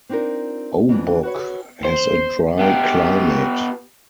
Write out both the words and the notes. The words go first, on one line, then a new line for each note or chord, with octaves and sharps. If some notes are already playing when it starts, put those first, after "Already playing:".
Obock has a dry climate.
C4 D4 D#4 F4 A#4
F2 D3 E3
F#4 B4 C#5
C5
B3 G4